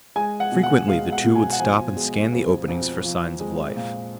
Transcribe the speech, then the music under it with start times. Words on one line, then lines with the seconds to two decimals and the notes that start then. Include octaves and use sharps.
Frequently the two would stop and scan the openings for signs of life.
0.16 G#3 G#5
0.40 F#5
0.52 B2
0.63 F#5
0.88 G#3 F5
1.12 F#5
1.24 B2
1.35 G#5
1.52 F#5
1.59 F3 G#5
1.96 G#3
2.32 F2
2.68 F2
3.04 F3
3.40 G#3
3.76 A#2